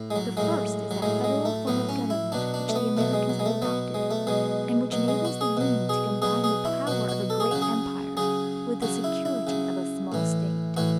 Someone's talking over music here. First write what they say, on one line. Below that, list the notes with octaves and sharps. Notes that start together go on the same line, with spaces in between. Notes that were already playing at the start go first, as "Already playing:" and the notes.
The first is that Federal form of Government which the Americans have adopted, and which enables the Union to combine the power of a great empire with the security of a small State.
Already playing: A2
G#3
F#3
A2 F#3 G#3
F#3
A2 F#3 G#3
G#3
A3
A2 F#3 B3
C#4
E4
B2 F#3 D4
D4
A3
B3
B2 F#3 A3
G#3
F#3
G#3
A3
B2 F#3 B3
G#3
A3
B2 F#3 G#3
B2 F#3
G#3
F#4
G#4
B2 F#3
G#4
B2 F#3 G#4
G#4
E4
B2 F#3 F#4
F#4
A4
G#4
C#3 F#3 F#4
G#4
C#3 F#3 G#4
C#3 F#3 F#4
E4
E4
C#3 F#3
A2 E3
A2 E3 F#4